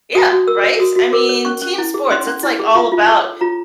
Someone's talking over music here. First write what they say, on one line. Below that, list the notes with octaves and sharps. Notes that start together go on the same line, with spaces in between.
Yeah, right? I mean, team sports, it's, like, all about
F#4 D#6
F#4
A#4 E6
C#5
F#4 D#6
F#4
A#4 D6
C#5
C#4 C#6
C#4
E4
G#4
C#4 C6
C#4
E4
G#4
F4
F4
A4
C#5
F4 A#5